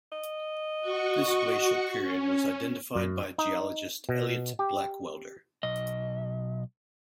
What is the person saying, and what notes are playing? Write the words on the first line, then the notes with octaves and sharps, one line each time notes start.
This glacial period was identified by geologist Eliot Blackwelder.
D#5
F#4 C#6
C#4
F#2
D#4
B2
G4
B1 D#5